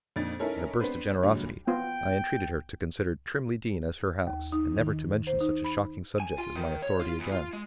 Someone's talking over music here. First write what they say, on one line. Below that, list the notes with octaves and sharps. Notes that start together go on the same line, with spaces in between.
In a burst of generosity, I entreated her to consider Trimley Deen as her house, and never to mention such a shocking subject as my authority again.
F2 A#2 D4 D#4 A6
C#4 D#4 E4 A4 A#4 C#5
B3 C4 D4 B4 C5
G2 A#2 D3 F#3 G#3
B3 F4 C5 G5
D#2
D#4
D#3
C5
D#4
B5
G#5
F4
D#3
C#5
F4
E2
F4
G#3